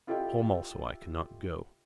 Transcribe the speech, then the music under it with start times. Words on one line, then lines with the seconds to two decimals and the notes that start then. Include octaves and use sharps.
Home also I cannot go.
0.07 E4 F4 G4 A4 D#5 G5